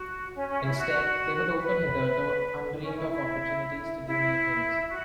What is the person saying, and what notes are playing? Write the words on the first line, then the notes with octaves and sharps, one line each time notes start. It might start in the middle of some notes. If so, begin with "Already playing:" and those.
Instead, they would open hitherto undreamed of opportunities to do new things.
Already playing: F#4
C#4
C#4
E4
F#4
B4
C#4
E4
E4
E4
F#4